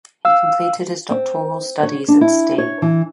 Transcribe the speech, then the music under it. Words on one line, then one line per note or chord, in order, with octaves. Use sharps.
He completed his doctoral studies at Ste.
F5 E6
C4
C#5
D4
E4
C#5
E3